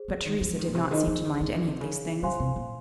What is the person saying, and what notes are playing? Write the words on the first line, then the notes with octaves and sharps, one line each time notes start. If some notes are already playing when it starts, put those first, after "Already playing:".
But Theresa did not seem to mind any of these things.
Already playing: G#4 C5
F3
D#3
F3
D#3
A#2
C3
D#3 D#4 G#4 C5 D#5
F3
D#3
D#3
C#3
C3
C#3
C#3 C5 F5 G#5 C6
C3
A#2